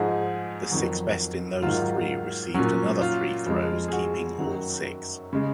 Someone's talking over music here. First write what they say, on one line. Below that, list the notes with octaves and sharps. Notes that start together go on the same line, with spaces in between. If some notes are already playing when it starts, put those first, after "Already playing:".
The six best in those three received another three throws, keeping all six.
Already playing: G#2 F3 G#3 G#4
F2 D#3 F#3 F#4
G#2 D#3 F#3 F4
A#2 F#3 C#4
F4
F2 F3 G#3
G#4
F#4
F#2 D#3 F#3
C#3 G#3